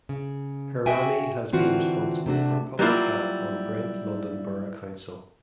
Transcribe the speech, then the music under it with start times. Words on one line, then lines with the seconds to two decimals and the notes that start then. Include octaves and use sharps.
Hirani has been responsible for public health on Brent London Borough Council.
0.09 C#3
0.86 F#4 E5 G5 G#5
1.52 D3 E3 C4 F4 F#4
2.26 C3 A3 D4 F#4
2.79 F#3 G3 A#3 E4 F4